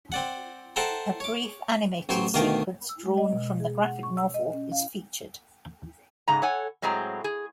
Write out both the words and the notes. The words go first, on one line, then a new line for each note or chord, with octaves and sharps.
A brief animated sequence drawn from the graphic novel is featured.
C4 D5 F#5
A4 C5 E5 F#5 G5 A#5
C#5 D6
A1 F#3 C5 C#5 G5
D2 B2 D#3 F5 G5 A#5
E6
G#3
D#5
B2
G#4
F#5
C#6
E6
D#5
C#4
F5
G#2 C#3 G#3 A#5
A4 C#5 F#5 G#5
A2 F#3 G#3 C4 G#4 A#5
G#4